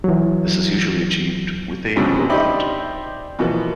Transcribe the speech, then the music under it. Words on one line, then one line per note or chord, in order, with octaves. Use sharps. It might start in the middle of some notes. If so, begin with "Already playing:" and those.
This is usually achieved with a robot.
E3 F#3
F2 B2 D3 F3 C4 C#4
D#4 G4 C5 D5 E5 B5
B2 E3 F3 A#3 B3